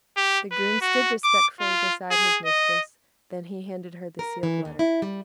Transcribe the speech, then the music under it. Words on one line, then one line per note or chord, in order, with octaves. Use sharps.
The groom stood respectfully beside his mistress, then he handed her the sealed letter.
G4
B4
F#4
D6
F4
G#4
D#5
A#4
E3
D#2
E4
G3